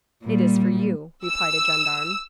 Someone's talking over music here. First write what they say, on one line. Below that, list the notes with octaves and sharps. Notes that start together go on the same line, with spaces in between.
"It is for you," replied a gendarme.
A#2 G3
E6